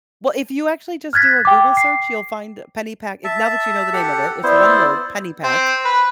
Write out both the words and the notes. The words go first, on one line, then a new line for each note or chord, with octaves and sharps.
well, if you actually just do a Google search, you'll find Pennypack, if now that you know the name of it, it's one word, Pennypack.
F6 F#6 G#6 A6 B6
G5 D6
C7
E5 A5
G4 A4 F#5
B3 E4 C5 D5 E6
C4
B4